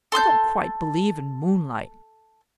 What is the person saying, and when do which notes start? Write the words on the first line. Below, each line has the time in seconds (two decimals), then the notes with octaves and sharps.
I don't quite believe in moonlight.
0.12 A4 C6 E6 G6